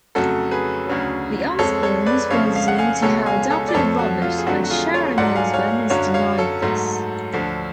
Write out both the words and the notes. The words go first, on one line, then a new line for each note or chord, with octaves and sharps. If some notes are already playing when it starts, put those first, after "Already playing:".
The Osbournes were assumed to have adopted Robert, but Sharon Osbourne has denied this.
F2 C#3 F#3 A3 F#4 A4
G#4 B4
D2 C#3 F#3
F2 F3 G#3 A4 C#5
A4 C#5
B4 D5
F2 C#3 F3 A3 C#5 F5
F5
F#5
F5 G#5
C#2 B2 G#3 A4 C#5
F5 G#5
A4 C#5
D5
F2 F3 A3 A4 C#5
F#4
F4
G#4
F2 D3 F#3 A3 F#4
F#4
F4 G#4
C#5 F5
G#2 F#3 A3 D5 F#5
F5 G#5
C#5 F5
F#2 D3 F#3 C#5 F5
C#5 F5
A4 C#5
G#2 F#3 A3
D2 D3 F3